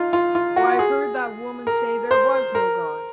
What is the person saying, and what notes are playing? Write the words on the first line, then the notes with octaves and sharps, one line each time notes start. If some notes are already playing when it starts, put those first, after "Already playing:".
Why, I've heard that woman say there was no God.
Already playing: D#4 F4
F4
F4
F#4
G#4
A#4
C5
A#4